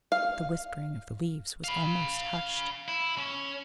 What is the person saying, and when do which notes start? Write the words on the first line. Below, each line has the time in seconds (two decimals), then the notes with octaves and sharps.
The whispering of the leaves was almost hushed.
0.12 F5
1.64 F5 B5
2.88 E4
3.18 C#4